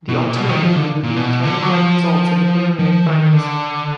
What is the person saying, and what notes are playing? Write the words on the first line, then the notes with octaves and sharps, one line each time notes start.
The ultimate venue would be determined by the results of the preliminary finals.
B2
A#2
B2
D#3
F3
D3
A#2
B2
D3
F#3
F3
F3
D#3
D3